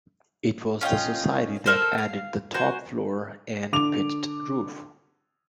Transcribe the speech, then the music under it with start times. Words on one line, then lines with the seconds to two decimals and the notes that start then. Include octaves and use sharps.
It was the Society that added the top floor and pitched roof.
0.81 C#4 F4 D#5 G5
1.66 A4 A#4 C5
1.98 F5
2.54 F#4 C5 G#5 A#5
3.73 D3 D6 F7